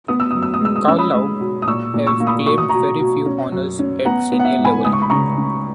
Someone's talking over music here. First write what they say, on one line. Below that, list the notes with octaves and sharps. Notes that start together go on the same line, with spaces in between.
Carlow have claimed very few honours at senior level.
B3 D#6
E6
F#2 D#6
E6
D#6
G#3 E6
D#6
C#4 E6
B5 D#6
G#3
B2
D#6
A#2 C#6 E6
A#2
C#6 E6
A#3
B5 D#6
B2 C#6
D#6
B2 A#5 C#6
B2
C#4
F#2
C#4
B3 F#5 A#5
B3
F#5
E5
G#2
G#5 B5
C#2 D#6
C#6
B5
C#3 A#5 C#6
C#3